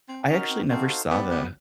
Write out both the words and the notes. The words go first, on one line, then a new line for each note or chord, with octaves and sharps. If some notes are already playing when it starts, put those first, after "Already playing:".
I actually never saw the
C4
C#4 D#4 F#4 A#4
C4
C4 D#4 F#4 A4 C5 F5
B3 G4 B4 D5 F#5
B3